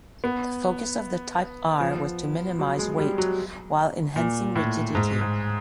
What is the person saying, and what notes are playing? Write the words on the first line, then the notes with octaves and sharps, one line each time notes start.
The focus of the Type R was to minimize weight while enhancing rigidity.
B3
F3
F#3
G#3
G3
F#3
A#2
A2
G#2
G#2